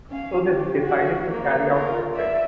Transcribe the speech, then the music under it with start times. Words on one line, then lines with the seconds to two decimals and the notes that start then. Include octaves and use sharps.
So they decided to carry out the threat.
0.10 C#4 F5
0.45 G4
0.82 F#4
1.30 A#3
1.73 F4 A#4
2.13 D5 E5